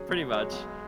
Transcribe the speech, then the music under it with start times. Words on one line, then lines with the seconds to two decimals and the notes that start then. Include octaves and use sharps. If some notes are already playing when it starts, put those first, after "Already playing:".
Pretty much.
Already playing: F#3 C#4 G#4 C#5
0.09 B2 G#3
0.31 F#3 C#4 G#4 C#5
0.52 B1